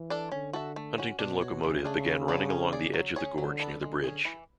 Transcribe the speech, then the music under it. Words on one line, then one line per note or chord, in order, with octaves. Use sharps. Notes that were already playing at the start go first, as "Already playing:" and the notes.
Huntington locomotive began running along the edge of the gorge near the bridge.
Already playing: E3
D4 A4 D5
D3 C#4
F#4 A4 E5
A3
C#4 F#4
B2 D4
F#4 C#5
C#3 E3
A3 D4 G#4
F#3
B3 D4 G#4
C#4
G#4 D5
F#3
C#4 G#4 C#5
D3 F#3
B3 D4 A4
D3 G#3
C#4 G#4
E3